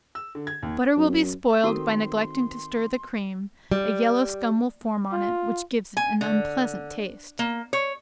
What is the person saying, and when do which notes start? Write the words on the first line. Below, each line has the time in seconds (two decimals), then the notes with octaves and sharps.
Butter will be spoiled by neglecting to stir the cream, a yellow scum will form on it, which gives it an unpleasant taste.
0.15 E6
0.35 D3
0.47 G#6
0.63 D#2
0.97 F#2
1.64 D#3 C4 F#4 A4 A#4 C6
3.71 G3
5.12 F4
5.97 G#5
6.21 D3
7.39 A#3
7.73 C#5